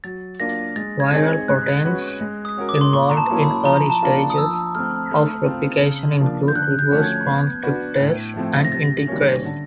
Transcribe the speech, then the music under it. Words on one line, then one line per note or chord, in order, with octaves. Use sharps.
Viral proteins involved in early stages of replication include reverse transcriptase and integrase.
F#3 A6
A#3 D4 F4 A#6
G#3 A6
G#6
C4 D#4 G#4 C#5
G#3 F#6
C#4 F#4 B4
G#3
D#6
C#4 F#4 A#4
D6
C6
A#2 C#6
A#5
A5
F#3 A#3 C#4 E4
B5
F3 A#5
A5
A#3 D4 F4
D#6
F3 E6
A3 C4 F6
A3
C4 F4
C#3
F3 A#3 D4
G6
D3 F#6
G6
F3 A3 C#4 F#4
G#6
B3
D4 F#4 B4
A2
F3 A3 C4
A#6
C3 A6
D#3 G3 A#3 C#4
D3